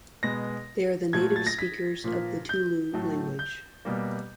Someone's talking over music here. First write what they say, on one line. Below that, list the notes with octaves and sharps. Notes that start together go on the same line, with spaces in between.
They are the native speakers of the Tulu language.
B2 G#3 B3 A#6
A#2 F#3 A3 G#6
A6
A#6
B6
A#2 F3 A#3
G6
A2 F#3 A3
G6
B2 G3 A#3